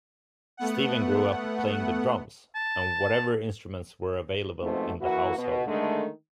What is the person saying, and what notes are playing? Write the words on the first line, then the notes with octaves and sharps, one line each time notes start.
Steven grew up playing the drums and whatever instruments were available in the household.
A3 B3 F#5
A5
G#2 B2 F3 A3 C4
E3 A#3 E4 F#4
B2
D3 D#3 G#3 A3